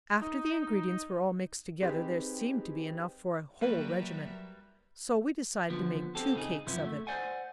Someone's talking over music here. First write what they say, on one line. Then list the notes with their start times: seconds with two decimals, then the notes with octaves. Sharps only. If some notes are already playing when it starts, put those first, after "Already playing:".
After the ingredients were all mixed together there seemed to be enough for a whole regiment, so we decided to make two cakes of it.
0.21 D#4
1.82 C4 D#4 G4 G#4 B4
3.61 F#3 G3 A#3 F#4 A#4 B4 E5
5.70 D3 F3 B3
6.15 C4 F#4 G4 A4
6.34 C#2 C#3 D#4 G#4
6.66 F#2 C3 F3 B3 C#4 E4
6.84 A3
7.07 C5 D5 F#5 G#5